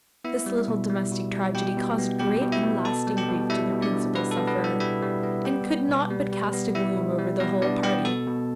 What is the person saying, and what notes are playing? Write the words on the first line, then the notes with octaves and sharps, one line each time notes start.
This little domestic tragedy caused great and lasting grief to the principal sufferer, and could not but cast a gloom over the whole party.
B3 E4 E5
G3
B2
G3
B2
G3
B2 G4 G5
B2
B3
B2 G4 G5
B2
E4 E5
B2
B2 A4 A5
G3
G4 G5
B2
G3 E4 E5
B2
D4 D5
B2
B2 B3 B4
A4
B3
B3 B4
G3
E4 E5
G3 E4 E5
G3
B3
G3 G4 G5
G3
B2
G3
G3
B3
G3 E4 E5
B2
G3
G3 B3 B4
B3 D4 D5
B3 G4 G5
B2 A4 A5
B2